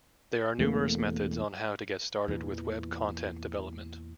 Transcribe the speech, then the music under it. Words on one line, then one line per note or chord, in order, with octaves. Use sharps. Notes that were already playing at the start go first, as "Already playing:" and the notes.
There are numerous methods on how to get started with web content development.
E1 E2 A3 A#3
E2 A#2 E3